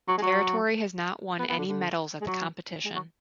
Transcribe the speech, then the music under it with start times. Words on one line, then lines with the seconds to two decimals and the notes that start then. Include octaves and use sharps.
The territory has not won any medals at the competition.
0.08 F#3
0.18 G#3
0.22 F#3
1.39 B3
1.49 B3
1.58 D3
1.68 D3
2.21 G#3
2.27 F#3
2.85 G#3
2.95 F#3